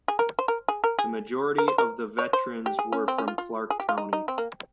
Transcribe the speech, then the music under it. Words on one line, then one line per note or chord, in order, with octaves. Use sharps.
The majority of the veterans were from Clark County.
G#4
A#4
C5
A#4
G#4
A#4
G#4
A#4
C5
A#4
C#5
C5
G4
G#4
C#4
C4
C#4
F4
F4
G#4
G4
F4
D#4
D#4
C4
A#3